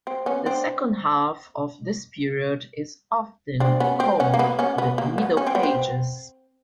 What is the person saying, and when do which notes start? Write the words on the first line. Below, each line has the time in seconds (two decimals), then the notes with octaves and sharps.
The second half of this period is often called the Middle Ages.
0.07 C4
0.26 B3 C#4
0.46 C4 D4
3.60 C4 D4
3.80 B3 C#4
4.00 C4
4.20 B3 C#4
4.34 A#3
4.39 B3
4.59 B3 C#4
4.78 B3
4.98 A#3
5.18 B3
5.37 C#4
5.47 C4
5.55 B3
5.63 C4